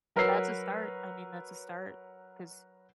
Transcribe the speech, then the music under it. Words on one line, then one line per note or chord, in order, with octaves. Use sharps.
that's a start. I mean, that's a start 'cause
F#3 A#4 B4 C#5 E6 C7